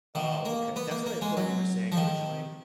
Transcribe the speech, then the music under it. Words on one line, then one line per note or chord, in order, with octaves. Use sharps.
Oh, okay. That's what I thought you were saying originally.
D#3
A#3
B3
A#3
A#3
G#3
F#3
F3
D#3